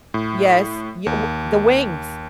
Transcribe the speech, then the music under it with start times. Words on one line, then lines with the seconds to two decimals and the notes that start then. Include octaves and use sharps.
Yes. Ye w the wings.
0.14 A2
1.06 D#2